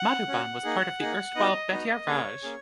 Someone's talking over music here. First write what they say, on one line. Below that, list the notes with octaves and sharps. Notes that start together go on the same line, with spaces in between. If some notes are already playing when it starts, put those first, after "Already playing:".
Madhuban was part of the erstwhile 'Bettiah Raj'.
Already playing: F#5
C#4 F#4
A#3 D#4 G#4
A#3 D#4 G#4
B3 D#4 F#4 D#5
B3 D#4 F#4
A#3 C#4 G#4 C#5
A#3 C#4 G#4